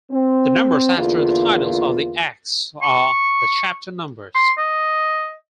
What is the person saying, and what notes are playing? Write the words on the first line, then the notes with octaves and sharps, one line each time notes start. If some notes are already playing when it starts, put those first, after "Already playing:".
The numbers after the titles of the Acts are the chapter numbers.
C4
E2 D3 A#3 F4
C#6
C6
D#5